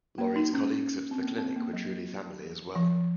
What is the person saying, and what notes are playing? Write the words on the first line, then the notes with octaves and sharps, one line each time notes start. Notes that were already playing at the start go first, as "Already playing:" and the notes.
Laurie's colleagues at the clinic were truly family as well.
A#3
D#4
C#4
C4
A#3
C4
A#3
F#3
F3